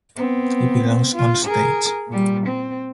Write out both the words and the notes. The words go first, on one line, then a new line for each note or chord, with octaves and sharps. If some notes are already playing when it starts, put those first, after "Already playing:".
He belongs on stage!
B3 C4
F4
G#4 A#4
A#2 G3
C4